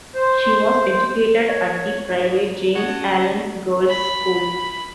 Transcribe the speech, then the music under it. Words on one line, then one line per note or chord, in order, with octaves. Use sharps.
She was educated at the private James Allen's Girls' School.
C5
C#5
G#2
C#3 F#4 C#5 D#5 A5
B5